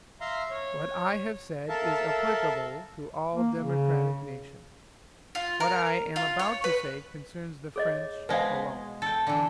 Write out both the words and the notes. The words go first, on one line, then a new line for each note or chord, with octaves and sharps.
What I have said is applicable to all democratic nations: what I am about to say concerns the French alone.
E5 F5 A#5 C6
C#5
A4 A#4 E5 F5 A5
A#3
C#3
F4
A#4
F4
C#5
B4
G#4 C#5 D#5
B2 G#3 B4 C5 F5
A4 G5
D3 E3